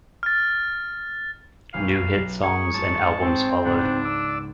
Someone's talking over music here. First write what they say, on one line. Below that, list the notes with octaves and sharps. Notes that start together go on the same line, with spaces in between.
New hit songs and albums followed.
F6 A6
B1 C#4 F5 F#6
G#4 A#5 C#6 D#6 G#6
G#2 C#5 A5
C4
C#2 G#2 B3 D4 G4 F#5
D5 E6